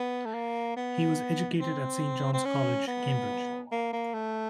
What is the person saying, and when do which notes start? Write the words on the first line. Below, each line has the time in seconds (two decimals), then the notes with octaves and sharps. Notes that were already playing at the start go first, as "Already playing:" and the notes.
He was educated at Saint John's College, Cambridge.
Already playing: B3
0.26 A3
0.34 A#3
0.76 B3
1.61 C4
2.33 C4
2.45 C#4
2.87 B3
3.72 A#3
3.93 A#3
4.14 A3